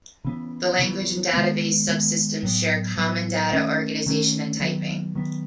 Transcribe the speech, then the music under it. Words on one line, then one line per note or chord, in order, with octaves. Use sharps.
The language and database subsystems share common data organization and typing.
C#3 E3 B3
C#3 E3 B3
D#3 G#3 B3
D#3 G#3 B3
A2 F#3 B3
A2 F#3 B3
D#3 A3 C#4
D#3 A3 C#4
D#3 F#3 B3
D#3 F#3 B3